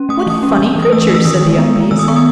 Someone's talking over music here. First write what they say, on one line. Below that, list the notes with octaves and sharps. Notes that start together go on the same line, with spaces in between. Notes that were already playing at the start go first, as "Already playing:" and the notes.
"What funny creatures!" said the young Bees.
Already playing: C#4
A3 D#6
C#6
E3 D#6
C#4
E3
E3
D#6
A3 E6
A3
E6
D#3 D#6
G#3
B3
B3
D#3 E6
D#6
B3 C#6
D#6